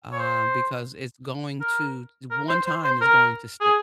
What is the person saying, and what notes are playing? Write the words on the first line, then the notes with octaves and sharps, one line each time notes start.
uh, because it's going to the one time it's going to stick,
C#5
C5
A#4
A#4
C5
C5
C5
A#4
G#4